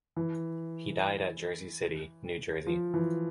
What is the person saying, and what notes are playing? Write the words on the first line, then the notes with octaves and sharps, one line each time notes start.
He died at Jersey City, New Jersey.
E3
F3
E3